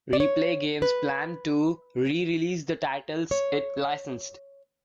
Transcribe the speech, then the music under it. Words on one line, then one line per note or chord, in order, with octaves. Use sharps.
Replay Games planned to re-release the titles it licensed.
D5
C#5
B4
C#5